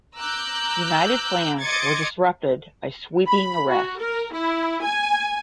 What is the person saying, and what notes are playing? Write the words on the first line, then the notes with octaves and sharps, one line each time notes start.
United plans were disrupted by sweeping arrests.
A#5 D6 E6 F#6 G6
D#5 C6 D6 G#6 A6 C#7
B5
F#4
A#4
E4
G#5